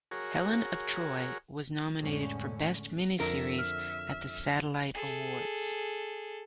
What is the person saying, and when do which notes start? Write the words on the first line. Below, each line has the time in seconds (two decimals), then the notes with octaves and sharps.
"Helen of Troy" was nominated for best miniseries at the Satellite Awards.
0.11 F#4 G#4 A#4 C#5
2.01 F2 A2 D3 G#3 A3 C#4
3.20 F2 D3 A#4 E5
3.59 F6
4.94 G#4 A4